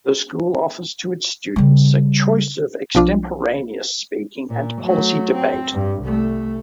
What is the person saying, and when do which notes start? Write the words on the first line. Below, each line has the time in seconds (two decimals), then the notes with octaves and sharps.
The school offers to its students a choice of Extemporaneous Speaking and Policy Debate.
1.56 C#3 G3
2.95 B1 F3 D4 F4
4.50 A#2
4.82 F#3 A3
5.34 C4
5.72 G2
6.03 C2 A3